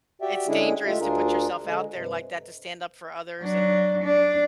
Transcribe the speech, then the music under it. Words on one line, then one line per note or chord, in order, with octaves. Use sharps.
It's dangerous to put yourself out there like that, to stand up for others, and
F#4 G4 D5 E5 G5
D3 G#3 C#4 D4 E4 G#4
G#3 A3 F4 G4 E5
D2 D4 F4 G#4 A#4
D3 G#3
G2 C3
F#3 D4
D4